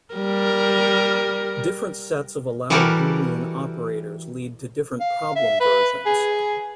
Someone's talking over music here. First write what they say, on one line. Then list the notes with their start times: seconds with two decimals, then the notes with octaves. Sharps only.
Different sets of allowed boolean operators lead to different problem versions.
0.14 G3 A#4
2.70 E3 G3 F#4 G4 A4 A#4
5.00 F5
5.36 E5
5.60 B4
6.06 G#4